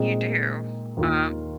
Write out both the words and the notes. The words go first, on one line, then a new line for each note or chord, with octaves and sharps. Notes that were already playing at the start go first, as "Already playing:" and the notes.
You do, um
Already playing: A#2 G#3 C4 D#4 G#4
D#2 D#3 A#3 F4